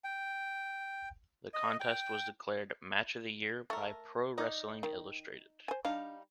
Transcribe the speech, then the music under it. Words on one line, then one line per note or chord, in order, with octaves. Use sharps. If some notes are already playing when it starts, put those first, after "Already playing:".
The contest was declared Match of the Year by "Pro Wrestling Illustrated".
G5
D#5
G5
A3 A4 A#4
D#4 D5 D#5
D#3
C5 G#5
G3 D4 D#4 F5